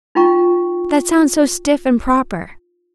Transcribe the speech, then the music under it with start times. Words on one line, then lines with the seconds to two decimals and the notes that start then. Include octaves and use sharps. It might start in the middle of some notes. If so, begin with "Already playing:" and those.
That sounds so stiff and proper.
0.15 D#4 F4 G5 A#5 C#6